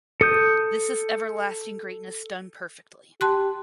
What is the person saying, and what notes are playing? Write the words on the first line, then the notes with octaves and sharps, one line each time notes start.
This is everlasting greatness done perfectly.
A4 D#6 G6
G4 A5 C6 F#6